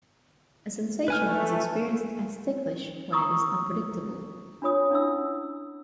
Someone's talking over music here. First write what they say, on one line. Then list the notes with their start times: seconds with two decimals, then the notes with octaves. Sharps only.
A sensation is experienced as ticklish when it is unpredictable.
1.08 A3 B4 G#5 F6
3.12 A#5 C#6 D#6 E6
4.62 D4 F4 C#5 D#6
4.90 C#4 D4 E4 E5 E6